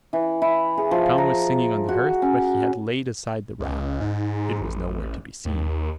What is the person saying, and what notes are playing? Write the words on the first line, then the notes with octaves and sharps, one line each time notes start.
Tom was singing on the hearth, but he had laid aside the wrap--it was nowhere to be seen.
E3
E4
G#4
F3
A#5
F#4
C#4
C#2
G#2
A1
D#2